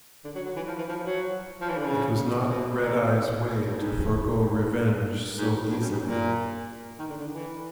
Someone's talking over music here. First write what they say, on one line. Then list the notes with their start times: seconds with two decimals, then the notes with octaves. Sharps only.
It was not Red-Eye's way to forego revenge so easily.
0.24 D3
0.35 F#3
0.46 F#3
0.56 E3
0.67 F3
0.78 E3
0.89 F3
1.05 F#3
1.61 F3
1.69 E3
1.77 D3
1.85 C#3
2.49 B2
2.81 A#2
3.66 G2
3.77 G#2
5.37 G#2
5.70 G2
5.81 F#2
5.92 G#2
6.02 A#2
6.99 D#3
7.09 D3
7.20 D3
7.31 E3